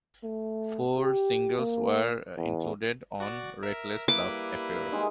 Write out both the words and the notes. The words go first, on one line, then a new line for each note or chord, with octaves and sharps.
Four singles were included on "Reckless Love Affair".
A3
G4
A#3
E2
F#4 D5
A#4 E5
A#3 E4 B4 D6
G3
D#3 E3 G#3